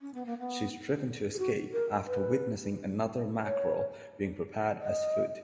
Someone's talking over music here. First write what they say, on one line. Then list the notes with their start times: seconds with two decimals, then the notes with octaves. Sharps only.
She is driven to escape after witnessing another mackerel being prepared as food.
0.01 C#4
0.14 B3
0.26 A#3
0.38 B3
1.34 G#4
1.38 F#4
1.73 A#4
2.07 B4
3.44 C#5
4.81 D#5